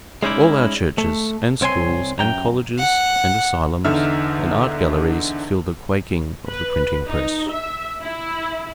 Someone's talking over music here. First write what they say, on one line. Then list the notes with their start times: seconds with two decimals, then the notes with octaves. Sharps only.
All our churches, and schools, and colleges, and asylums, and art-galleries feel the quaking of the printing-press.
0.23 G#3 C#4 D#4 E4 D5
0.98 A3
1.61 C2 C4 C#5 G#5 C6
2.19 F#2 G5 A#5
2.78 F#5
3.85 E2 D3 D#4 E5 E6 F6
6.48 B4
7.07 D#4
7.49 E5
8.01 E4